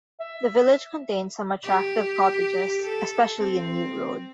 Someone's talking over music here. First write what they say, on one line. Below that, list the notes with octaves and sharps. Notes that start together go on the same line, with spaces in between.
The village contains some attractive cottages especially in New Road.
E5
G4
A4
C4